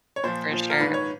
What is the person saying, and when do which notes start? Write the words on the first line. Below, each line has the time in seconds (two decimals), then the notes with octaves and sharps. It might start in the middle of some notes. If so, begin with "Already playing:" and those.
for sure.
0.16 C#5
0.23 A#2 F3 C5
0.52 A#2 F3
0.70 A#4
0.80 G#2 D#3 B4
0.94 C#5